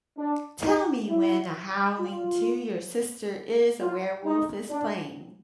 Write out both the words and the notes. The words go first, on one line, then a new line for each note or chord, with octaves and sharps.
Tell me when Howling II: Your Sister Is a Werewolf is playing.
D4
D#4
E4
F4
F4
D#4
D4